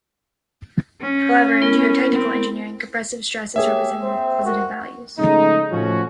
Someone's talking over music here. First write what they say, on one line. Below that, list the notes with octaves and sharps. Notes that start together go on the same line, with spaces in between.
However, in geotechnical engineering, compressive stress is represented with positive values.
C#4
B3 E4 A#4
C4
A#3 G4 G#4 C#5 E5
C4 C5
F#4 A#4
C#3 F3 G#3 A3 D#4
A2 F3 C#4 F#4